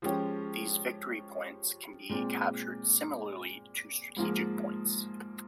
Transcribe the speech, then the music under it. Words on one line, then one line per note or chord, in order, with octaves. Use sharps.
These victory points can be captured similarly to strategic points.
F3 G#3 C#4 G4
A#2 G#3 C4
G#2 F3 A#3 F4 G#4